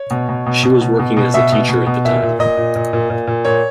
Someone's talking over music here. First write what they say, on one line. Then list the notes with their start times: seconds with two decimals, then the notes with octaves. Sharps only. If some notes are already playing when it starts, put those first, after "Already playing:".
She was working as a teacher at the time.
Already playing: C#5
0.10 B2
0.29 B2
0.46 B2
0.63 B2
0.81 B2
0.99 B2
1.17 B2
1.34 B2 E5
1.52 B2
1.69 B2
1.87 B2
2.05 A#2 E5
2.22 A#2
2.39 A#2 D#5
2.57 A#2
2.75 A#2
2.93 A#2
3.10 A#2
3.27 A#2
3.45 A#2 C#5